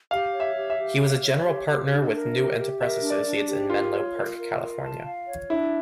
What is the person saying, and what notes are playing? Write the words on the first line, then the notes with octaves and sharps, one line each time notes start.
He was a general partner with New Enterprise Associates in Menlo Park, California.
G4 F5
C#5
E5
G4
E5
G4
C#5
C#5
G4
G4
D4
A#4
G4
G4
A#4 E5
D4
D5
D4
G4
F4 A#4
C#5
A#4
A#4
A#4
A5
F5
C#5
D4 E4